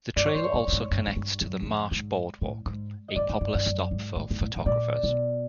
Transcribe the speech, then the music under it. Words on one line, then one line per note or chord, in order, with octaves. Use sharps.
The trail also connects to the Marsh Boardwalk, a popular stop for photographers.
G2 D5
C#5
G2 C5
C#5
G2
G2
G#2
G2
G#2
G2
F#2
E2
F2
G#2
A2
G#2
D#5
G2 D5
G#2
G2
G2
F#2
G#2
A2
G#2
A2
A2
A#2 D5
B2